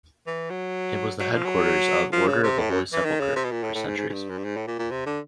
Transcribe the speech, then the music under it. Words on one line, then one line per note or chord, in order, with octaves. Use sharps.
It was the headquarters of Order of the Holy Sepulchre for centuries.
E3
F#3
F#3
F3
F#3
F3
C#3
C3
A2
F#2
E3
D#3
C#3
C3
B2
A#2
A2
A2
G#2
G#2
G#2
G2
F#2
G2
G#2
A2
A#2
A#2
C3
D3